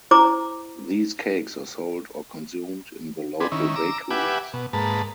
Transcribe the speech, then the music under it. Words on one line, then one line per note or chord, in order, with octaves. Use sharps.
These cakes are sold or consumed in the local bakeries.
E4 C5 A#5 D6
C4 D4 G#4 B4
D#3 C#4 E4
A#5 D6 E6
G4 B4 E5 F#5 G#5 D6
B2
G#2 A#3 B4 A5